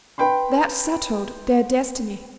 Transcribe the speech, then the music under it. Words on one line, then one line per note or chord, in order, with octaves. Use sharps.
That settled their destiny.
B4 G5 B5 C6